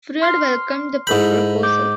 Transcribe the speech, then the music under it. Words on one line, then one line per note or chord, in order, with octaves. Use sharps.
Freud welcomed the proposal.
C6 F6 C7
G#2 E4 A4 B5 G6
D6 G6